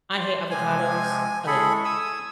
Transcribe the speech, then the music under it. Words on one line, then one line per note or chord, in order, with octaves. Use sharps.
I hate avocados, uh
A5 C6
C3 F3 G#3 G#5
G#3 E4 G#4 A4 B5 C#6
G#5 D#6 E6